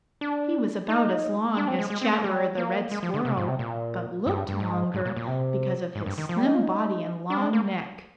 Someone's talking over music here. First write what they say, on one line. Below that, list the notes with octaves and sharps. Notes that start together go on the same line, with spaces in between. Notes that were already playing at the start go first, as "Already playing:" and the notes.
He was about as long as Chatterer the Red Squirrel but looked longer because of his slim body and long neck.
D4
D#4
D4
C4
G#3
G#3
C4
A#3
G3
A#3
G#3
F3
D3
C3
G#2
C3
A#2
G2
G2
G#2
G#2
A#2
A#2
C3
G#2
G2
D#3
F3
G3
D#4
F4
D#4
D4
C4
D4
A#3